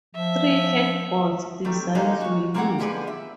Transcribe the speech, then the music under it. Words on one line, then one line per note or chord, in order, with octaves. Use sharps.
Three headboard designs were used.
F3 E5
D#3 G3 A3 C4
D3 G#3 A#3 D#4 G4 F5
F#4 C#5
A#3 C4 G4 G#4 E5 F#5
D3 F3 B3 D#4 G#4 D5
E5